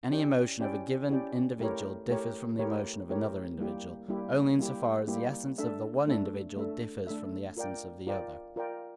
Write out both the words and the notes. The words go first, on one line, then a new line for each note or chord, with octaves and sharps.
Any emotion of a given individual differs from the emotion of another individual, only in so far as the essence of the one individual differs from the essence of the other.
C#4 E4 G4 D5 G5
C#4 E4 G4 D5 G5
C#4 E4 G4 D5 G5
A3 E4 G4 A#4 C#5
A3 E4 G4 A#4 C#5
A3 E4 G4 A#4 C#5
A3 E4 G4 A#4 C#5
G3 A#3 E4 G4
G3 A#3 E4 G4
G3 A#3 E4 G4
G3 A#3 E4 G4
A3 D4 A4 E5
A3 D4 A4 E5
A3 D4 A4 E5
A3 D4 A4 E5
F4 A#4 D5 G5
F4 A#4 D5 G5
F4 A#4 D5 G5